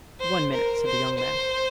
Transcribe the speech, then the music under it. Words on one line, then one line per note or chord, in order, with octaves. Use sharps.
"One minute," said the young man.
C5
A#4
C5
C5